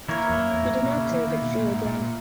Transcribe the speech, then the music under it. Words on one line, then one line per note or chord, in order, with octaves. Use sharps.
He did not serve at sea again.
E3 A#3 E4 A#4 C#5
E2
F#2
E2
G#2
F#2
B2
C#3
E3
D#3
B2
A#2
G#2
A#2
A#2